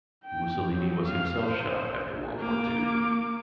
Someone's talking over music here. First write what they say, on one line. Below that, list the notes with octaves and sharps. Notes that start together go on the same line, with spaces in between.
Mussolini was himself shot after World War two.
G5
F#3
F5
C5
A#3 D6